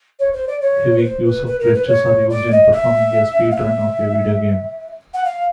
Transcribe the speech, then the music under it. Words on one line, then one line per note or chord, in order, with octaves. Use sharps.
Heavy use of glitches are used in performing a speedrun of a video game.
C#5
C5
D5
C#5
B4
C5
B4
B4
A#4
B4
C#5
D5
D#5
E5
F5
E5
F#5
F5